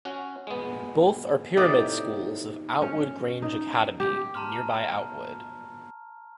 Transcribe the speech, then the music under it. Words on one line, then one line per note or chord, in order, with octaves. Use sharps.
Both are pyramid schools of Outwood Grange Academy in nearby Outwood.
C#4 F#4
G#3 B3
A2 C3 D#4 G4 D5 G5
C#4
D#4
G4
A5 A#5 C6 F6